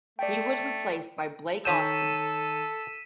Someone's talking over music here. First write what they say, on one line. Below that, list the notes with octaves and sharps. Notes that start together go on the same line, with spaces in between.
He was replaced by Blake Austin.
A3 D5 G5
D#3 A4 C#5 G6 B6 D#7 E7